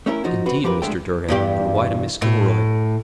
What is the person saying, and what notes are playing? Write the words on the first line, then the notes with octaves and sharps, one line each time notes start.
"Indeed, Mr. Durham; and why to Mrs. Gilroy?"
A3 C#4 E4 A#4
F3 D#4 F#4
C4 F#4 B4
F3 G4 A#4 B4
C2 D3 G#3 A3 A4 G5
E2 G2 G4
A2